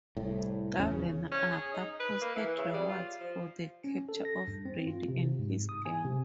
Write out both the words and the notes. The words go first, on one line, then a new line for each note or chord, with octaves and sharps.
Governor Arthur posted rewards for the capture of Brady and his gang.
C2 A2
E1 E2 C#3 C#4
C#4
G#4
D#4
B4
A#3
E3
C#3
G3
F4
F3
C#4
A4
A#6
G2
C4
F4
C3
G#2
D#6
G#5
C3